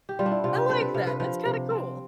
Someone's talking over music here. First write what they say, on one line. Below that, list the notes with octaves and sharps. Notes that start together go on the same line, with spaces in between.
I like that, that's kinda cool.
G4
G3 F4
D4
E4
C3 F4
G4
C4 A4
B4
C3 F5
B4
F3 B4
C3
C4